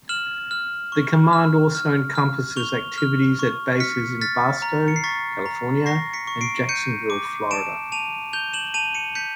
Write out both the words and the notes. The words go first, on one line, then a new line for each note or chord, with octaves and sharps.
The command also encompasses activities at bases in Barstow, California, and Jacksonville, Florida.
F6 E7 F#7
F6
C#6
F6
F6
F6
C#6 F7 G7
F6
C#6
F6 B6 C#7
F6 A6 B6
A#5
C#7
C7
C#6 A6 B6
A#5
C#6 A#6 C7
B6 C#7
C#6
C7 D7
G6 C#7 D#7
D6
A5 D7 E7
A5 D#7 F7
G6 F7 G7
E7 F#7
A5 D#7 F7
C#7 D#7
G6 B6 C#7